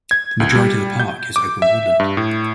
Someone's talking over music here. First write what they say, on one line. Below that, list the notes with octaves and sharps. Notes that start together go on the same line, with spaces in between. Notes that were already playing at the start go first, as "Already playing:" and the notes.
The majority of the park is open woodland.
G#6
C#2
G3
G6
D6
E5
G2
A2